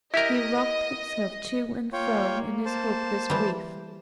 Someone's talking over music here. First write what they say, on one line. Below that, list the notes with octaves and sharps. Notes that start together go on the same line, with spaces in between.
He rocked himself to and fro in his hopeless grief.
E4 G4 A#4 D#5 E5
A#3 F4 C#5 G5
C5 A5
E3 G3